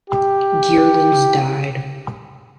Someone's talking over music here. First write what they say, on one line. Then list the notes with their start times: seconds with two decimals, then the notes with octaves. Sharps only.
Geerlings died.
0.10 G4